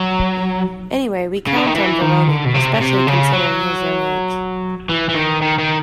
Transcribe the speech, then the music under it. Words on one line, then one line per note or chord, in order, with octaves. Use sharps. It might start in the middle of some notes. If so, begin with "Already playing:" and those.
Anyway, we count on Voronin, especially considering his young age.
Already playing: F#3
C#3
D3
D#3
E3
D#3
D3
B2
C3
C#3
C3
C#3
F#3
E3
E3
D#3
D#3
D#3